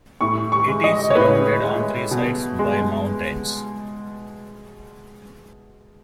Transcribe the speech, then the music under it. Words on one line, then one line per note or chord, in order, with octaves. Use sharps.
It is surrounded on three sides by mountains.
A2 C#6
C#6
G#3
D#5
C#5
A2 B4
G#3
B2
G#3